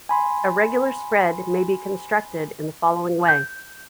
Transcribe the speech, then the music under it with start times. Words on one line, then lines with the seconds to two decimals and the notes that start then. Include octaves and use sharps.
A regular spread may be constructed in the following way.
0.09 G#5 B5 C6
3.28 G6